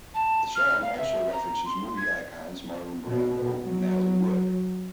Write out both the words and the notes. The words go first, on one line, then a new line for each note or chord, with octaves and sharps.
The song also references movie icons Marlon Brando and Natalie Wood.
A5
F6
F5
E5
A#5
C6
G#6
B2
F#3